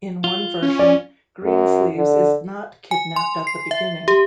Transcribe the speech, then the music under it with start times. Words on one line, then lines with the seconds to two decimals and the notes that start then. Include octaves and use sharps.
In one version, Greensleeves is not kidnapped at the beginning.
0.24 F4
0.62 C#4
0.79 D5
1.44 F#2
1.95 D3
2.91 G#5
3.16 C6
3.47 C7
3.71 E5
4.08 G4